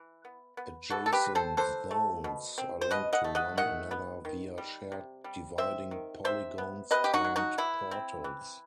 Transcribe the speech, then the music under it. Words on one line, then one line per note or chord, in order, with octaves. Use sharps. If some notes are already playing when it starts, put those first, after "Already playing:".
Adjacent zones are linked to one another via shared dividing polygons termed "portals".
Already playing: E3
B3
B3
E3 F#4 A4
A4
G4 B4
C4
A4 C5
E3 A4 C5
A3
B2
C4
C5
B2 B4 D#5
D#5 F#5
A3
D#5 F#5
D#3 D#5 F#5
B3
D#3
G3
C3
G3
C4 C5 E5
D#3
C3 C5 E5
B3
C3 B4 D#5
G4
D#4 F#4
F#3
D#4 F#4
E3 E4
C4
E3